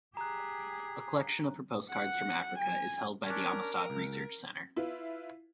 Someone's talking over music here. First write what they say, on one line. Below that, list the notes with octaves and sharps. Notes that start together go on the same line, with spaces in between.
A collection of her postcards from Africa is held by the Amistad Research Center.
G4 G#4 A#5 F#6
F#5
G#5
C#4 D4 A#4
C#2
E4 F4 B4